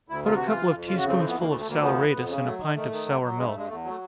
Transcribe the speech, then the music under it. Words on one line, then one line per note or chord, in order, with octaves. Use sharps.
Put a couple of tea-spoonsful of saleratus in a pint of sour milk.
D2 E4
C3 F4
E3 F#4
F4
F2
F2
C#3 F4
F#4
F2
C4
E3 C4
B3
D2
A#3
D2 A3
A3
D2
A#3
F3 B3
F2
F2
C#3
F#3 A3
D#3
D#3 A3
D#3
F#3
F#3
G2 G#3
A3
G2
G#3
E2 A3
F#3 A3